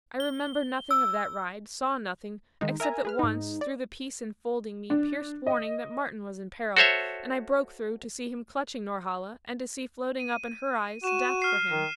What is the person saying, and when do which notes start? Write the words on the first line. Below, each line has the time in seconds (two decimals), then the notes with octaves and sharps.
I remember nothing of that ride, saw nothing--except that once through the peace enfolding me pierced warning that Martin was in peril, and I broke through to see him clutching Norhala and to see floating up in her eyes death for him.
0.20 G7
0.91 E6
2.61 D#3 G#3 D#4
2.80 A#4 E5 G#5 A#5
3.05 G#4 B4 F6
3.19 G#2 D#4
3.61 D5
4.90 D4
5.47 D#5
6.77 F#4 A4 C5 C#5 E5
10.20 D#7
11.04 F#4 D#7 E7
11.42 F6 C7
11.70 D#3